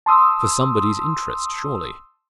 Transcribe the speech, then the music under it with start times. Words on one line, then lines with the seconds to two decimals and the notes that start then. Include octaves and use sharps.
For somebody's interest, surely.
0.06 A5 C6 D#6 E6